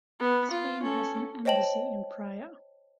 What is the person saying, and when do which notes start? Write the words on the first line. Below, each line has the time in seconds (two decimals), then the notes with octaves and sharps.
Spain has an embassy in Praia.
0.20 B3
0.51 F4
0.83 C#4 A4
1.45 C5 C#5 D#5 G5 A5 F#7